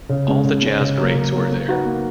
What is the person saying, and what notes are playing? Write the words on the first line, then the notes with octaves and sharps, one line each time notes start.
All the jazz greats were there.
C#3
G#3 C#4
C#3
G#3 C#4
C#3
F#3 A#3
C#3
F#3 A#3
A#3
D#4 F#4 B4
A#3